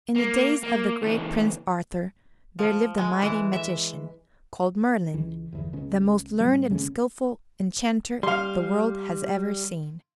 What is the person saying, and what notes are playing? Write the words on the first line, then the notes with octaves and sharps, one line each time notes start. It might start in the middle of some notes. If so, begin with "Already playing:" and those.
IN the days of the great Prince Arthur there lived a mighty magician, called Merlin, the most learned and skillful enchanter the world has ever seen.
A#3
A#3
C#2 E3
F3
G#3
E3
E5
C#2 E3
G1 E2
C#2 C#3
A2 G3
D#2 C#3 G#3 C#4
G3 F5 C6